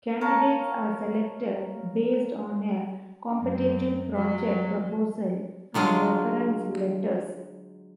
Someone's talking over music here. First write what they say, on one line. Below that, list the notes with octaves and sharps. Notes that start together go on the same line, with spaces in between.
Candidates are selected based on a competitive project proposal and reference letters.
A#4 C#5 F5 A5
F#2
F#3
D3 F#3 G#3 F4